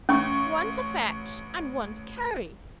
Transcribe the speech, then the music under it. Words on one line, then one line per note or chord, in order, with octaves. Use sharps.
One to fetch, and one to carry.'
A1 C#4 C#6